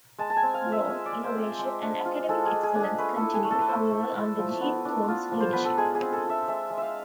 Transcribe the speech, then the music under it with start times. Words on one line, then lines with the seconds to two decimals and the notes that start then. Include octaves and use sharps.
Growth, innovation, and academic excellence continued, however, under Gene Thorn's leadership.
0.19 G#3 A5
0.30 A5
0.36 G#5
0.43 C4
0.54 F5
0.66 F4
0.72 E5
0.88 G#3
1.06 D5
1.12 G#3
1.24 C5
1.36 C4
1.59 G#3
1.82 D4
2.05 F4
2.29 G#3 A4
2.46 G#4
2.52 G#3
2.63 G#4
2.75 D4
2.80 G#4
2.98 A3 B4
3.16 E4 A4
3.34 G#4
3.45 A3
3.51 A4
3.61 B4
3.68 E4 C5
3.91 A3
4.15 E4
4.38 F3
4.61 B3
4.85 D4
5.08 F4
5.31 F3
5.40 C5
5.53 B3 B4
5.65 A4
5.78 G#3 G#4
5.95 G#4
6.01 C4
6.12 A4
6.25 F4 E5
6.48 G#3 E5
6.71 G#3
6.78 E5 F5